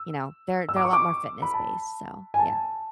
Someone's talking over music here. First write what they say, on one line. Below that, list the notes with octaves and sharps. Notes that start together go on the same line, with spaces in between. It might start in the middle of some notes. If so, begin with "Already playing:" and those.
you know, they're they're a lot more fitness based, so, yeah.
Already playing: E6
E6
D6
C#6
D6
B5
A5
G#5
A5